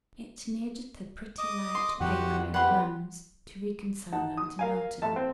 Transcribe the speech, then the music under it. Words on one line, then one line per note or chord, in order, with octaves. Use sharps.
It needed the pretty light papering of the rooms to reconcile them to Milton.
D#5 D6 D#6
C6
F2 E3 F3 F#4 G4 F#5
G4 B4 F#5 C6
D#4 F#5 A5
D#6
A#4 F5 G#5
A2 A4 E5 A5
C4